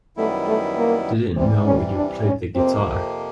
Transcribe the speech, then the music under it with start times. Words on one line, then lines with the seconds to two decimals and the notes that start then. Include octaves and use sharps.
I didn't know you played the guitar!
0.17 F#2 D#3 G3 A3 B3 E4
0.47 A3
0.77 A#3
1.36 C3 E3 G3 C4
1.66 C#4
1.95 D4
2.25 C#4
2.55 F2 C3 F3 A#3 C4